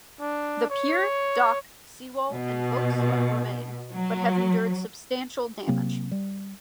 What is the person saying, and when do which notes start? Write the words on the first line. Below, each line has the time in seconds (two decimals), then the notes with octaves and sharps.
The pier, dock, sea wall and boat-slip remain but have endured substantial damage.
0.20 D4
0.70 C#5
2.31 B2
3.92 F#3
5.67 C3 F#3 A#3 C4
6.12 G3